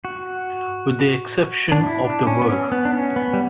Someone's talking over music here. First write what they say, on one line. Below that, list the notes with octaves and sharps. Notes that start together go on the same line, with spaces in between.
With the exception of the Ver.
F#4
D4
E4
D4
C#4
B3
C#4
B3
D4
C#4
B3
G3